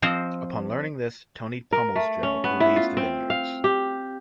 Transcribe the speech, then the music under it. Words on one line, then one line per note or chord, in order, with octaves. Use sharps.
Upon learning this, Tony pummels Joe, who leaves the vineyards.
F3 C4 C5 D#5
A#4
A3
C#4
B3
E4
F4
C4
F5
G4